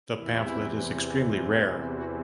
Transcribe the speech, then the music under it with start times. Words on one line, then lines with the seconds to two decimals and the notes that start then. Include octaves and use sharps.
The pamphlet is extremely rare.
0.15 E2 C3 E3 E4
1.91 F#4